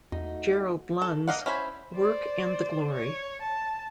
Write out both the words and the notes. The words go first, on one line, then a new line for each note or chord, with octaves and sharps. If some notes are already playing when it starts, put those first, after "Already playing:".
Gerald Lund's "Work and the Glory".
E2 A3 D#4 F#4
A4
A#3 D#5 F5 F#5
C#4 E4 C5 B5
C5 D5
C#5
A5